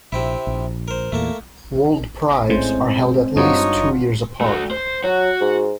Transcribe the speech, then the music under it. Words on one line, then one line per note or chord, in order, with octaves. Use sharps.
WorldPrides are held at least two years apart.
A#1 C3 C4 E4
A#1
A#4 C5
E2 A#2 A3 A#3 A4
A2 G#3 C4 C#4 C5
G2 D4 D#4 F4 F#4 C#5 D#5
A3 F#4
C5
F#3 F#4
G#2